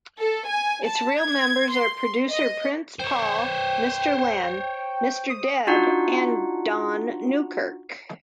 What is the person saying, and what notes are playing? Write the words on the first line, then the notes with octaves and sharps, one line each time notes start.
Its real members are producer Prince Paul, Mr. Len, Mr. Dead and Don Newkirk.
A4
G#5
A5
G#6
C6
D#5
C5 C#5 G5
D#6
D4 D#4 F4 F#4 F#5